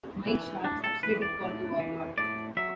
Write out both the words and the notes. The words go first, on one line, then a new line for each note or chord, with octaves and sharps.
Mike Sharpe substituted for The Warlord.
E3
A2 D4
A4
E3 B4
D5
A2
E3
A2 D5
F#3 E5